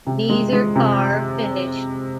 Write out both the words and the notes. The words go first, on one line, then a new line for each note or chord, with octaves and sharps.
Neither car finished.
C3
G#3
G#3
C3